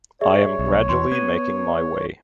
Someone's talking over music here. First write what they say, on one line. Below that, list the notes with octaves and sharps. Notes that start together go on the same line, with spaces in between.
I am gradually making my way.
G#4 C#5 D5 E5
B1
E2 C6
B3 G#6 D#7